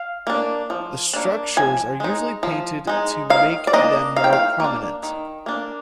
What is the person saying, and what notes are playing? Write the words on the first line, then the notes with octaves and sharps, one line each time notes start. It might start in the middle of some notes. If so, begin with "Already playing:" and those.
The structures are usually painted to make them more prominent.
Already playing: F5
A#3 D4
F3
A#3 D4
F3 G#5
G#3 D#4
F3
G#3 D#4
D#3 F5
D5
A#3 D4 D#5
D#3 F5
G5
F5
A#3 D4
D#3
A#3 D4